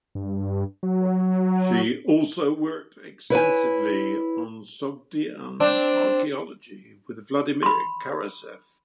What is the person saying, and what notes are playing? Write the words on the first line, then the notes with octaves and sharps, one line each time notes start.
She also worked extensively on Sogdian archaeology with Vladimir Karasev.
G2
F#3
E4 B4 C#5 G#5
C4 D4
B5 C6